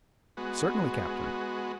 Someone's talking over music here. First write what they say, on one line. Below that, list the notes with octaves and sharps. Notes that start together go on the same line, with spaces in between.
"Certainly, captain."
G#3 B3 F#4